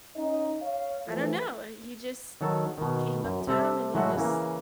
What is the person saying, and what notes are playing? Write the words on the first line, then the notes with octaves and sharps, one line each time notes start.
I don't know, uh, he just g came up to him and he just
C#4 D#4 D#5
C#5 F5
E3 F3 A3
D#3 F#3 A4
B2 D#3
F#2
C3 G3 A4 E5
A2 F#3 G#3 A3 E4 F#4
C#3 E3 A#3